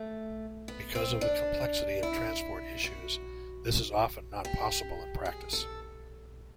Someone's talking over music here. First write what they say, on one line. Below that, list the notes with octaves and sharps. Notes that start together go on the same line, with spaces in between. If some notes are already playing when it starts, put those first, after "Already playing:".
Because of the complexity of transport issues, this is often not possible in practice.
Already playing: A3
B3
C4
D4
E4
F#4
G4
G#4
A4